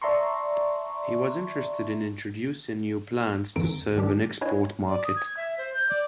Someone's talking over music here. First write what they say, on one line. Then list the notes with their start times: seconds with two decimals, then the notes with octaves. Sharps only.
He was interested in introducing new plants to serve an export market.
0.02 D5 E5 A5 A#5 C6 C#6
3.56 F2 G#2 D3 E3 A#5 D7
3.96 G#2 D#3 G3 D4 G4
4.41 D4 E4 B4 C#5 D#5 G#5
4.87 D5
5.04 D#6
5.16 G#6
5.36 E5
5.58 C5
5.74 G6
5.89 D5